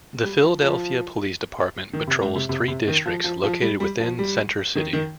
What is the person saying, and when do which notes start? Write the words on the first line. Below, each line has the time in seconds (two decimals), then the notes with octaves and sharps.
The Philadelphia Police Department patrols three districts located within Center City.
0.24 G3
0.43 F3
0.61 F3
1.93 D#3
2.07 C3
2.21 G#2
2.36 C3
2.49 C3
2.68 C3
2.87 D#3
3.06 F3
3.24 F3
3.44 F3
3.62 G3
3.80 G3
4.00 F3
4.19 G3
4.75 D#3
4.93 D#3